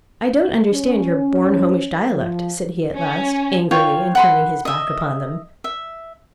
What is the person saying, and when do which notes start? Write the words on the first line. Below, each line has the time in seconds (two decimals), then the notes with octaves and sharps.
"I don't understand your Bornholmish dialect," said he at last, angrily, and turning his back upon them.
0.72 C#4
2.10 F3
2.95 C#4
3.71 F4 C#5 G5 C#6
4.15 F#5 B5 C6
4.65 D#5 E5
5.64 E5